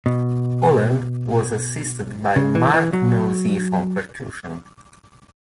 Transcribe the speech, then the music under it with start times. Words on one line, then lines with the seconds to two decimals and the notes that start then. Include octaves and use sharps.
Holland was assisted by Mark Nauseef on percussion.
0.06 B2
2.36 C#3
2.55 E3
2.74 E3
2.93 F#3